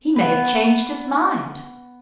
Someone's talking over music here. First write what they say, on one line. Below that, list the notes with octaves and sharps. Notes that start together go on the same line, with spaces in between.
"He may have changed his mind."
B3 B4